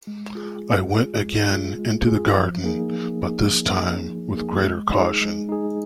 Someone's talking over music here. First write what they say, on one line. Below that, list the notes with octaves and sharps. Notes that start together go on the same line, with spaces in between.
I went again into the garden, but this time with greater caution.
G#3
F4 G#4
G#3
F4 G#4
G#3
F4 G#4
G#3
F4 G#4
F3
A#3 D#4 G#4
F3
A#3 D#4 G#4
F3
A#3 D#4 G#4
F3
A#3 D#4 G#4
G#3
D#4 G#4
G#3
D#4 G#4